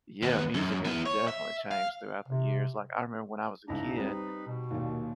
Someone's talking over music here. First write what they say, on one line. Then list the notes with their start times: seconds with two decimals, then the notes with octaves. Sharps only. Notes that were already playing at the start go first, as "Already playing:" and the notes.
Yeah. Music has definitely changed throughout the years, like, I remember when I was a kid
0.23 D#2 B3
0.54 F#2
0.85 B3 E4
1.06 C#5
1.28 E5
1.71 F5
2.28 C3
3.68 C#2 G#2 D4 E4 A#5
3.97 G3 C4 D#4 B4
4.47 B2
4.71 D#2 A#2